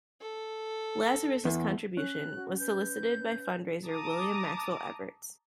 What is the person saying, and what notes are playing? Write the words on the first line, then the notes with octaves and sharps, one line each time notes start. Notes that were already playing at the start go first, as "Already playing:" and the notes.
Lazarus's contribution was solicited by fundraiser William Maxwell Evarts.
A4
E2
C#4 F#6
F#4
B4 G6
A5 A#5 D6 D#6